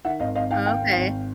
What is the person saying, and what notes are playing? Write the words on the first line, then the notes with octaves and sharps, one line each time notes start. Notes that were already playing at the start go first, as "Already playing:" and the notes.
Oh, okay.
D#3 E5 F#5
G#1 D#5 F5
G#1 D#5 F5
G#2 F5 G5
D#3 F5 G5
G#1
G#1